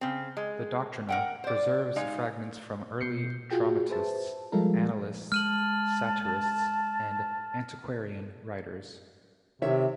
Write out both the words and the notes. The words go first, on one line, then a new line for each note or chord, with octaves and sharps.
The "Doctrina" preserves fragments from early dramatists, annalists, satirists, and antiquarian writers.
C#3 C4
G#3
A#4 F#5 G5
C5 D5
G#3 D#4 F5
B2 G6 C7 C#7
F4 F#4 G#4 G5
G#4 B4 C5 E5 A5
F3 G3 G#3 F4 A4 A#4
G#3 A5 F6 D#7 F#7
C3 D#3 C#5 E5